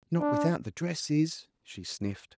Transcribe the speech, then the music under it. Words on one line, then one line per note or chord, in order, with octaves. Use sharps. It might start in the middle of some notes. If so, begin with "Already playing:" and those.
"Not without the dresses," she sniffed.
D4